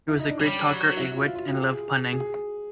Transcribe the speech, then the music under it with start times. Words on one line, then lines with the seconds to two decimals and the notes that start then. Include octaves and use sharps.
He was a great talker, a wit, and loved punning.
0.09 E4
0.19 D#4
0.29 D4
0.39 G3 C#4
0.69 F#3 F#4
0.97 E4
1.17 F4
1.35 F4
1.51 G4
1.55 G#4
2.13 G#4